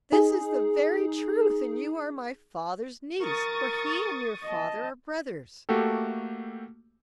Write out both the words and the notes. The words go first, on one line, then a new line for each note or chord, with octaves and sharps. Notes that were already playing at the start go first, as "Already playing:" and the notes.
This is the very truth, and you are my father's niece; for he and your father are brothers.
D#4 G#4
A#4 C#6 D#6 A6
D#5 A5
A3 A#3 F#4 G4 A4